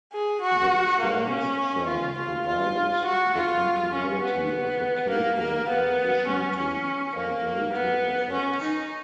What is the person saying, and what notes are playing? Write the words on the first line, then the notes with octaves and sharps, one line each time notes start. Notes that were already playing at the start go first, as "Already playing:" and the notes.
The TransTrem provided the functionality of a capo in addition to vibrato effects.
G#4
F#4
A#3
C#4
F4
F4
F4
F#4
F4
C#4
B3
B3
A#3
A#3
B3
C#4
C#4
A#3
B3
C#4
D#4